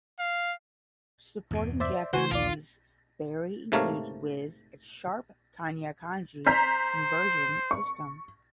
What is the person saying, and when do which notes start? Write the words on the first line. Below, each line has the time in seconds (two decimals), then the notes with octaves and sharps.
Supporting Japanese, Berry includes Whiz, a sharp Kana-Kanji conversion system.
0.19 F5
1.51 E2 G2 B2
1.80 C5 D5 E5
2.13 C#3 A3 F#4 C5 G#5
2.31 A#1 D#2 F4 D5 A6 D7
3.72 G#2 C3 A3 A#3 C#5 F5
6.47 C5 A#5 G6 B6
7.71 C#6